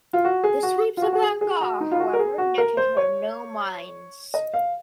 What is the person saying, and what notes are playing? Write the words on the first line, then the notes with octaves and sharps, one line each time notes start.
The sweeps of Angaur, however, netted her no mines.
F4
F#4
G#4
F#4
F4
F#4
F#4
G#4
G#4
F#4
D#4
F4
F#4
A#4
G#4
F#4
A#4
C5
C#5
D#5
F5